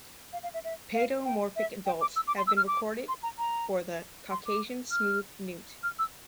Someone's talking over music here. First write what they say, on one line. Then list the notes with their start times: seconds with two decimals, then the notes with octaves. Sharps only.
Paedomorphic adults have been recorded for the Caucasian smooth newt.
0.33 F5
0.43 F5
0.54 E5
0.64 E5
0.94 F5
1.25 G5
1.56 E5
1.86 G5
2.01 D6
2.16 E6
2.27 D6
2.37 C6
2.47 E6
2.57 F6
2.67 D6
3.08 C6
3.23 A#5
3.38 A#5
4.31 C6
4.46 D6
4.91 F6
5.83 F6
5.99 E6